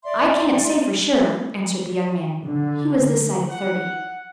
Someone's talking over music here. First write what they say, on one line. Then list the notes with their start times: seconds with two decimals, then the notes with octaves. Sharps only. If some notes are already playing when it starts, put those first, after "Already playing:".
"I can't say for sure," answered the young man--he was this side of thirty.
0.03 D5 E5 C6
2.43 D3
3.50 F#5